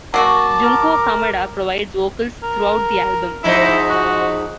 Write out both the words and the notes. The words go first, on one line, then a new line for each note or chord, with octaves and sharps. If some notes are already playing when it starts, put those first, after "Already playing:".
Junko Kamada provides vocals throughout the album.
F#3 A#3 F#4 A5 D6
A#4
A#4
G#2 F3 D#4 E4
F#4